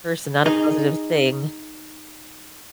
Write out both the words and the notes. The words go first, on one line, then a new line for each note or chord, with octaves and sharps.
person, not a positive thing.
D#4 G#4 D#5